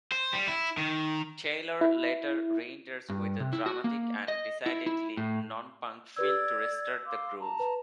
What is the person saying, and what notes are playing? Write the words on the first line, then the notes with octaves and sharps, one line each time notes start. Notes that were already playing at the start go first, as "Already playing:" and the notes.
Taylor later re-enters with a dramatic and decidedly non-punk fill to restart the groove.
C5
G3
E4
D#3
E4
G2
C3
E4
F#4
A#3
D#5
E4
E4
A2
G4 B4 D5 E6 G#6
E6
F5 C6 D6
A5 A#5
B4